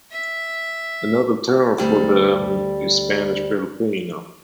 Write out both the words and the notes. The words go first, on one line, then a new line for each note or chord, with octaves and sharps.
Another term for them is Spanish Filipino.
E5
D2 G3